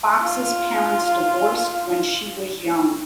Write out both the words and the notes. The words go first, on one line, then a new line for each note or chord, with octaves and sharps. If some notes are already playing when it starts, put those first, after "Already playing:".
Fox's parents divorced when she was young.
F4